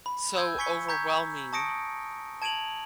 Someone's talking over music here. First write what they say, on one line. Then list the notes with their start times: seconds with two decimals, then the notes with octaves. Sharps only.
so overwhelming
0.06 B5
0.36 E6 G6 G#6
0.58 G#5 C#6 G#6 B6 C#7 G7
0.89 A#5 C#6 G6 G#6 B6
1.53 A5 C#6 D#6 A#6 C#7 D7
2.42 A5 G#6 D7 D#7 F7 F#7